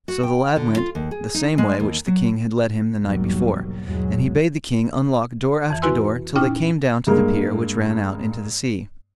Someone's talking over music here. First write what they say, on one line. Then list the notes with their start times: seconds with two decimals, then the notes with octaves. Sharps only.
So the lad went the same way which the king had led him the night before, and he bade the king unlock door after door till they came down to the pier which ran out into the sea.
0.08 F#4
0.23 G5
0.56 D3
0.77 F4
0.95 D#2
1.11 G#4
1.35 D#4
1.58 G#3
1.80 D#2
2.07 F#3
3.02 B1 E2 G#2 F#3 G3 A#3
3.85 B1 E2 G#2 F#3 G#3
5.70 F2 E3
5.82 E4 F#4 B4 G#5 C6 E6
6.36 A#2 C#4 D#4 E4 G5 F6
7.07 G2 G#3 A#3